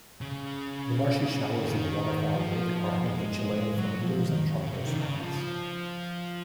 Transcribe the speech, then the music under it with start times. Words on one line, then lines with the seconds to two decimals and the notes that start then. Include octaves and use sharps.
The marshy shallows of Waterfowl Lake are home to Chilean flamingos and trumpeter swans.
0.21 C#3
1.64 D#3
2.34 F3
3.06 G#3
3.77 F#3
4.01 F3
4.24 D#3
4.49 C#3
4.73 C3
4.86 D#3
4.97 C#3
5.20 F3